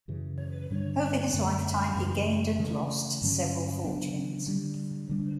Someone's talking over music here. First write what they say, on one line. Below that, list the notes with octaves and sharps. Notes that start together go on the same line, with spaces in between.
Over his lifetime he gained and lost several fortunes.
F#2 C#3 E3
G2 D3 G3 D4
F#2 D3 A3 D4
F#2 C#3 E3
C#3 E3 A3
G2 D3 F#3 C#4
C#3 F#3 B3 D4
D3 G3 D4
D3 G3 D4